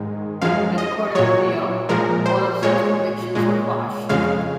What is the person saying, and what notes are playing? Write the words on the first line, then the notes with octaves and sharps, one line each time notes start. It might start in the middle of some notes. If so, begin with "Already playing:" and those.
At the court of appeal, Olofsson's convictions were quashed.
Already playing: G#2 D#3 G#3
F#2 F3 G#3 F5
D#5
A#2 F#3 C#5
A#2 F3 G#3 A#4
C5
A#2 G#3 C#5
A#2 G#3
F2 C#3 G#3 F5